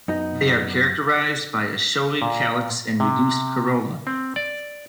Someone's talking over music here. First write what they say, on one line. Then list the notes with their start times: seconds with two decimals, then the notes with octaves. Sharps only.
They are characterized by a showy calyx and reduced corolla.
0.08 F#2 B3 D#4 D#5
2.22 A#2
3.00 C3
4.07 C4
4.36 D5